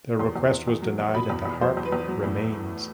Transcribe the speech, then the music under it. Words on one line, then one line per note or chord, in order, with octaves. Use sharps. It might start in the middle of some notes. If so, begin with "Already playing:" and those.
The request was denied and the harp remains.
E2 C6
E2
E2
E2
F#3
E2
B2 B5
E2
E2
F#3 C5
E2
B4
E2
F#3
A2